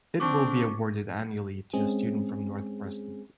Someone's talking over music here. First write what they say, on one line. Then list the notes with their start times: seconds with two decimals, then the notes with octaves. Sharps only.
It will be awarded annually to a student from North Preston.
0.20 C4 D4 C#6 D6
1.73 G#3 C4 C#4 G#4